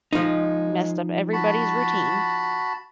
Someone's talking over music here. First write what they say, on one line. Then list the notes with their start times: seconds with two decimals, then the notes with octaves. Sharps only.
messed up everybody's routine.
0.13 F3 G#3 D#4
1.33 F#4 A5 B5